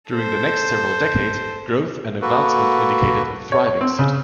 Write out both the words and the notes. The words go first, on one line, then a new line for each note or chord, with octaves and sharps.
During the next several decades, growth and advancement indicated a thriving city.
A4 C5
A#3 F#4 A4 B4
C#5
C4
C#3